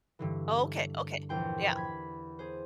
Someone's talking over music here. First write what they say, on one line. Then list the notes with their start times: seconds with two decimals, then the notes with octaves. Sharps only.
Oh, okay, okay, yeah.
0.19 G2 D3 E3
1.29 A#1 E2 G5 C6
1.76 B5 G#6 B6
2.39 G#4 C5